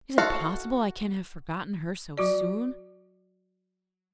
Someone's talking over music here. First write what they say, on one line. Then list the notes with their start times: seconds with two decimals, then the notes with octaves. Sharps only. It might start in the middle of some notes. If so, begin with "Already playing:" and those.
'Is it possible I can have forgotten her so soon?
0.18 F#4 A4 F5
2.18 F#3 F#4 D5